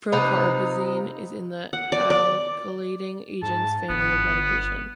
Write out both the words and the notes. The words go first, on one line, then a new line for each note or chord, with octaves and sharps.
Procarbazine is in the alkylating agents family of medication.
C3 F3 D#4 B4
F#5
D5
D5
G#2 A5
G1 B3